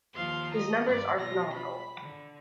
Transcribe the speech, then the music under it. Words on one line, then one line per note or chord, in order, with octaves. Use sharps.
His numbers are phenomenal.
D#2 F3 F5 C6
D#5 A#5
G2 D5
B2 F4 A#6
B5
D3